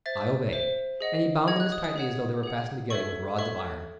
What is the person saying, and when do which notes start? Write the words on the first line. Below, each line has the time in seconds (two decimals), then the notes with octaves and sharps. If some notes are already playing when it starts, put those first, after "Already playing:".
I obeyed, and he bound them as tightly as though they were fastened together with rods of iron.
0.06 C5 E5 A6
0.53 C5 E5
1.00 G#4 D#5 F#5
1.48 G#4 D#5 F#5 G#6
1.60 F#6
1.72 D#6
1.84 D#6
1.96 G#4 C#5 F#5
2.43 G#4 C#5 F#5
2.90 A4 C#5 E5 C#6
3.39 A4 C#5 E5 C#6